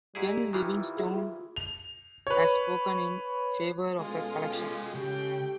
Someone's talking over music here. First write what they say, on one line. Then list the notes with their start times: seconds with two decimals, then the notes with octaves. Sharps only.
Ken Livingstone has spoken in favour of the Collection.
0.15 G#2 G3 E4 G#4
0.53 D#3 E3 G3 E4 F4
0.97 G#4 E5
1.56 F7
2.27 B4 C#5
3.99 B2 G#3 C#4 F4 A4
4.51 F#4 G5
4.95 C#3 G#3 A3 G4 G5